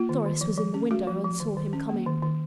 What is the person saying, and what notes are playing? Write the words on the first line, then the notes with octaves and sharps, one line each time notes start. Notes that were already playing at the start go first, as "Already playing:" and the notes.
Doris was in the window and saw him coming.
Already playing: A#3 F4
D#3
D#3
F3
F3
C#4
A3 F#4
F3
F3
D#3
D#3
C#4
A#3
D#3
D#3